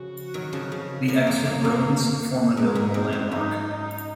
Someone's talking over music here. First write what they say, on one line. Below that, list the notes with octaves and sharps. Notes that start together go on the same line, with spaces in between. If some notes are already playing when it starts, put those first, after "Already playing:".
The extant ruins form a notable landmark.
Already playing: C#3 F3 F#4
D#3 F#3
C#3 F3
C#3
C#3 F3 A#3
F#2
F2
F#2
F#2 G#3
G#2
F#2 C4
F#2
G#2 D#4
D#4